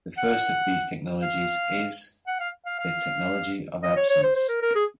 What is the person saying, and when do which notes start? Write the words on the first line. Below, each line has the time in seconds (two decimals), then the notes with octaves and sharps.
The first of these technologies is... the technology of absence.
0.17 F#5
1.22 F5
2.27 F#5
2.40 F5
2.66 F5
2.79 F5
3.83 D#5
3.96 C#5
4.10 C#5
4.23 C5
4.36 C5
4.48 A#4
4.62 A#4
4.75 G#4